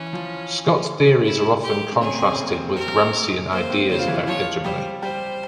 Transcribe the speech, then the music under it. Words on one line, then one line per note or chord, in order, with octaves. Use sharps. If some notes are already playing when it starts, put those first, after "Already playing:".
Scott's theories are often contrasted with Gramscian ideas about hegemony.
Already playing: E3 C#4 E4
F3 F4
E4
G4
C4
C#3 C#4 G#4
C4
C#3 C#4
A#3
C4
C4 A#4
A#3 C5
C4
C#3 C#4 C5
F4
E3 E4
E4
F3 F4 C#5
G3 G4 C5
G3 G4 C5